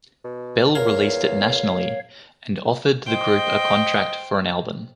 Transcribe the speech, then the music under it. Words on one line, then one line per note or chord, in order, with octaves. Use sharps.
Bell released it nationally and offered the group a contract for an album.
B2
E2 A#4 C#5 F5
C5 D#5 G5